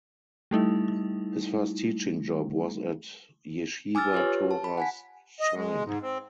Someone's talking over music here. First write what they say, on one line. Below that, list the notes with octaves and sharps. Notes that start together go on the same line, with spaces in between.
His first teaching job was at Yeshiva Toras Chaim.
G3 A3 D#4 E4
G#5 D6 E6 F6 A6
F4 G4 B4 C#5
A5
B5
F#5 G#5 B6
D#5
G#3
G#2
C4